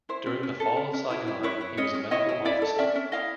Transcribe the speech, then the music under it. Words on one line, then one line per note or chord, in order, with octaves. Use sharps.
During the Fall of Saigon, he was a Medical Officer.
E4 C5
C#4
C#4
A4
C#4
C#4
E4
E4
E4 B4 C#5
E4
C#4 C#5 D#5
C#4
E4 C#5 D#5
E4
E4 D5 E5
A4
C#4 D5 E5
C#4
E4 D#5 F5